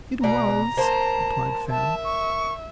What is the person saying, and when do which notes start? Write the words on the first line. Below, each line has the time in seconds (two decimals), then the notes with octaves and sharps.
"It was," replied Fan.
0.24 B2 D5 A#5
0.77 A#3 C5 A5
1.70 E5 A5
2.04 C#6